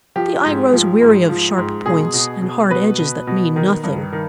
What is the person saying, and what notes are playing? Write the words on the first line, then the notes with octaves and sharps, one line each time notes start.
The eye grows weary of sharp points and hard edges that mean nothing.
F3 G4
G#2
F3
G#2
F3
G#2
B2 G#4
B2
B2
B2 B4
B2
B2
D#3
G2
D#3